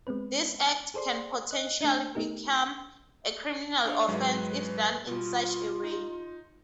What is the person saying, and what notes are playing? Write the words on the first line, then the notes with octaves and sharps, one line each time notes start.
This act can potentially become a criminal offense if done in such a way.
G#3 B3 C4 B4
G#4 A4 C5 D5 C6
D#5 F#6
A3 D4
A3 B3 D#4 G4 A#4
D4 C#5 F5
G#2 F#3 G#3 B4
B2 G3 F4
D#4